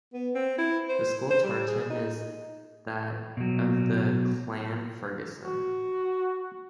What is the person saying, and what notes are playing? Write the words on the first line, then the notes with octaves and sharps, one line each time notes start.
The school tartan is that of the Clan Fergusson.
B3
C4
E4
C5
C5
G3
G#4
D#4
B2 F#3
F#4